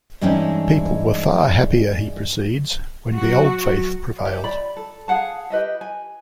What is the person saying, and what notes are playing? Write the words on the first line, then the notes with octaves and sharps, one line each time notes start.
People were far happier, he proceeds, when the 'Old Faith' prevailed.
G2 E3 G#3 C4 C#4 D#4
F#3 F#4
G4 C#5 E5
D5 B5
A4
G#4 F5 F#5 A5
G4 B4 D#5 E5
G#5